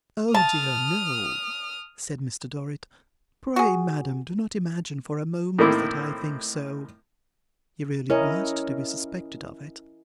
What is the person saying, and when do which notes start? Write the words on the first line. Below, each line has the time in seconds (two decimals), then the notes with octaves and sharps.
'O dear no!' said Mr Dorrit. 'Pray, madam, do not imagine for a moment that I think so.' He really blushed to be suspected of it.
0.34 A5 D#6 F6
3.56 F#4 G#4
5.59 A2 D#3 A#3 C4 E4 D6
8.10 C#4 E4 A#4 D#5